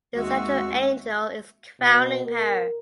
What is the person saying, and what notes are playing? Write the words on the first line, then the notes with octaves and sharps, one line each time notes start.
The central angel is crowning her.
D#2 G#3 C4 F#4 E5
B2
A#4